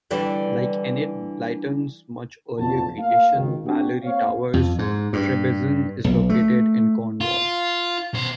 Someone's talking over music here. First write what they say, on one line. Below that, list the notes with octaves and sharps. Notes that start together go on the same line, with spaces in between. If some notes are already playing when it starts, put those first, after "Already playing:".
Like Enid Blyton's much earlier creation, Malory Towers, Trebizon is located in Cornwall.
D3 E3 G3
F#1 B1 F2 A#2 F#4 A5
A#3 F5
G#1 C#2 D#3
C4 D4 F#4 G4
A#3 C4 C5 C#5 F5
F2
G#2
G2
B1
A3
F4
B2 C5